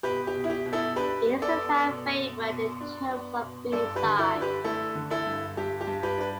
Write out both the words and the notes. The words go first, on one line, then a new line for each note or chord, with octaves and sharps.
It is a fan-favourite in terms of B-sides.
B2 G4 B4
G4
B2
E4
G4
B2
E4 A4
D4 G4 B4
B3
A4 D5
B3
B2
B2
B2
D4
B3
B2
G2 A4 D5
G4 B4
D3
E4 A4
D4
G4 B4
A3 E4 A4
D3
E4 A4
G2
G2 G4
G4
G2
G4 B4
D4 B4